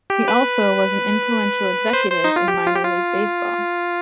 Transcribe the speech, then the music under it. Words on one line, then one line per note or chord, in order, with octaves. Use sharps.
He also was an influential executive in minor league baseball.
G4
B4
C5
C5
D#4
F4
G4
F4
G4
F4